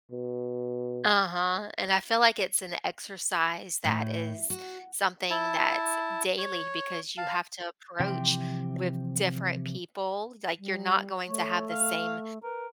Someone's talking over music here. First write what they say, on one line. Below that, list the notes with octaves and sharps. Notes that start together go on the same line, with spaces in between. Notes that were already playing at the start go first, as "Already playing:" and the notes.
Uh-huh, and I feel like it's an exercise that is something that's daily, because you have to approach with different people. Like you're not going to have the same
B2
A2
F#4
E4 A5
C#5
F5 A5
C3 E3 F3 G4 G5 C6
G3
A3 C#5
F5
A#4 B4